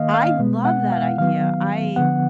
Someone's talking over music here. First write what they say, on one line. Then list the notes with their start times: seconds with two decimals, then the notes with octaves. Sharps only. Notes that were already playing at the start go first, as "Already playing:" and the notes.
I love that idea, I
Already playing: D#3 A#3 D#5 F5
0.14 F5
0.39 B2 G#3 B3
0.65 F#5
0.92 F5
1.18 D#3 F#3 B3 F5
1.96 D3 F3 B3 F#5